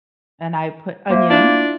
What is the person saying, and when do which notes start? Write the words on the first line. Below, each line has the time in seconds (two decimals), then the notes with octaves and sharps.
and I put onion
1.10 A#3 C5 E5
1.30 D4 E4 F4